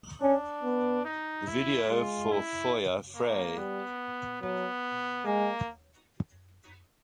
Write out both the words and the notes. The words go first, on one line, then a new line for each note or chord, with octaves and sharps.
The video for Feuer frei!
C#4 D4
B3
D#4
E4
G#3 F4
E4
A#3
G3 B3
F#3 B3
G#3 A#3